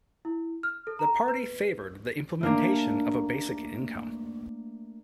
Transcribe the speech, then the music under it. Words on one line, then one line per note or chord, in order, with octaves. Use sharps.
The party favoured the implementation of a basic income.
E4
F6
A4
A#5
B4
A3 A#3 D4